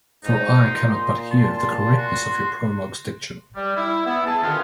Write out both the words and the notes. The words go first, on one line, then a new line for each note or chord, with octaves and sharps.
For I cannot but hear the correctness of your prologue's diction.
G#2 D#4
A#2 C6
A5 C6
F#4
G3
E4
B3 E4
G#4 A5
B2 D3 D#3 B3 C#4 F4